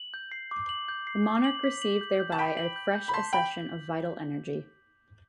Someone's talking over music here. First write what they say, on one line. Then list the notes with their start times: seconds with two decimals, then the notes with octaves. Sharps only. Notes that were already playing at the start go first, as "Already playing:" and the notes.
The monarch received thereby a fresh accession of vital energy.
Already playing: F#7
0.14 G6
0.32 C7
0.51 D6
0.69 F#7
0.88 G6
1.07 C7
1.26 D6
1.44 F#7
1.64 B6
1.82 F#7
2.01 G6
2.20 G6
2.32 A5
2.38 G5 B5 B6
2.57 F#7
2.76 G6
2.95 G6
3.08 B5
3.13 A5 C6 B6
3.33 G5 B5 F#7